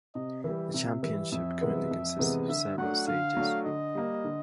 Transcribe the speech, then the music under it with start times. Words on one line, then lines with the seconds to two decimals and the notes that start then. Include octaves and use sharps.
The Championship currently consists of several stages.
0.15 C3 D#5
0.44 E3 G3 E5
0.73 C3 E5
1.03 E3 G3 E5
1.32 F2 E5
1.61 C3 E3 G#3 B3
1.91 F2
2.19 C3 E3 G#3 B3
2.49 D3 E5
2.78 F#3 A3 D4 F#5
3.08 D3 F5
3.37 F#3 A3 D4
3.66 D3 D#5
3.95 G3 A#3
4.24 D3